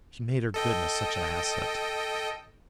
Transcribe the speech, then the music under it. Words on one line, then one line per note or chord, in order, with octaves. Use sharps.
She made her goodness such an asset.
A4 D#5 G5